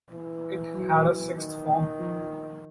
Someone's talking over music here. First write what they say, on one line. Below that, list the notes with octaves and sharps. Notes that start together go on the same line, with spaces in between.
It had a sixth form.
E3
F#3
D#3
F3